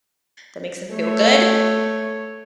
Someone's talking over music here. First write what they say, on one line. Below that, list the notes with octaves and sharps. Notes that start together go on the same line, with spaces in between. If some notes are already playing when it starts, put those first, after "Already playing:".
that makes them feel good.
A3 C#5